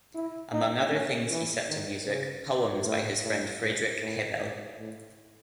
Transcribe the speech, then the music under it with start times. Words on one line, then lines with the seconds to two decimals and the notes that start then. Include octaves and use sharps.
Among other things he set to music poems by his friend Friedrich Hebbel.
0.15 E4
0.53 D#4
0.92 C#4
1.30 E3
1.69 D#3
2.08 C#3
2.85 A2
3.24 A2
3.63 G#2
4.01 A2
4.40 G#2
4.79 A2